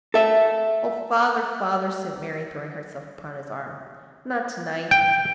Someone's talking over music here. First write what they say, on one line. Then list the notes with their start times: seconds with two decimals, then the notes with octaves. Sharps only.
'Oh, father, father!' said Mary, throwing herself upon his arm,--'not to-night!
0.14 A4 E5
4.91 G5